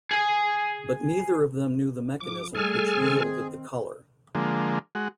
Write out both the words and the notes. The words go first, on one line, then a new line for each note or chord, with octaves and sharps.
But neither of them knew the mechanism which yielded the colour.
G#4 G#5
F3 D6
G3 A3 G#4 A4 G#5 F6
D#3 C4
D3 F3 G#3 A#3
G#3 F#4